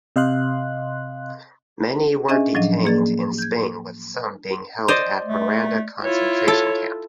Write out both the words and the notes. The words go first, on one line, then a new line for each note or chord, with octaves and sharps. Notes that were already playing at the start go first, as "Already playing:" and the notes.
Many were detained in Spain with some being held at Miranda concentration camp.
C3 D#5 F5 C6 F#6
C#4 D4 G#4 D#5 E5 G#5
A2 F3 F#3 D4 D#5
A#3 G#4 D5 A6
G6 G#6
C5 D5 D#5
A3
E4 F4 C#5
A4